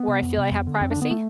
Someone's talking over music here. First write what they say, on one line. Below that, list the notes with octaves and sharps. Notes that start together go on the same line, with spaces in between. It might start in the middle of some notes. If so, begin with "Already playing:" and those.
where I feel I have privacy.
Already playing: B3
C3
F2
C3
F2
D3
F2 C4
D3 D4
B3
A3